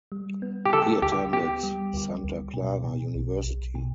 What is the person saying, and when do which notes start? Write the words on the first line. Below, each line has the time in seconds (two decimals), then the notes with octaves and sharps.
He attended Santa Clara University.
0.12 G3
0.42 B3
0.66 G4
0.73 C#3 A4
1.02 D2 G4
1.33 B3 G4
1.63 G3
1.94 D2
2.24 D2
2.54 B2
2.84 B2
3.15 B1
3.44 B1
3.75 B2